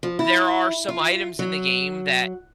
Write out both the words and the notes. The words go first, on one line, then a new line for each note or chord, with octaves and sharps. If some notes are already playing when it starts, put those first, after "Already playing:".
there are some items in the game that
F3
E4
F4
F#3